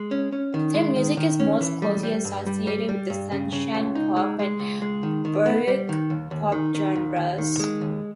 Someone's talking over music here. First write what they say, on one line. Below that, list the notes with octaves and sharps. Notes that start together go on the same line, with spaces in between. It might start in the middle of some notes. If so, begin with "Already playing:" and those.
Their music is most closely associated with the sunshine pop and baroque pop genres.
Already playing: G#3
C#4
C#4
D#3
G#3
D#3
D#3
C#4
E3
G3
G3
G2
G3
G3
G3
G2
C#3
C#3
C#2
D#4
G#3
G#3
C#2
G#3
D#3
D#3
B3
G3
D#3
D#2
D#2
D#3
D#3
D#2
D#2
D#3
G#3
D#2